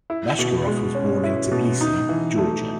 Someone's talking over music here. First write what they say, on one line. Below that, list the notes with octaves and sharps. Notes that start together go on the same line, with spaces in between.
Bashkirov was born in Tbilisi, Georgia.
E4
B2
G#3
C#4
E4
B2
D#4
E3
A3